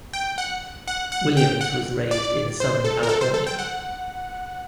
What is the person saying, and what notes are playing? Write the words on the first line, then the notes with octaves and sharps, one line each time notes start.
Williams was raised in Southern California.
G5
F#5
F#5
F#5
G5
F#5
D5
C5
A4
A#4
A4
C5
A4
G5
F#5